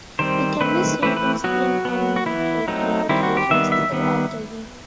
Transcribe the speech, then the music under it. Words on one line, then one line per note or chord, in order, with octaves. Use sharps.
It can be seen in steam on regular occasions throughout the year.
D#3 G3 C4 C5
D#3 A3 C4 B4
E3 A3 C4 B4
B4
F#3 B3 F#4
F#3 B3
F#4
E3 B3 E4
F#3 A3 C4 D#4
D#3 G3 C4 E4
F#4
G4
D#3 G3 B3 E5
E5
D#3 G3 B3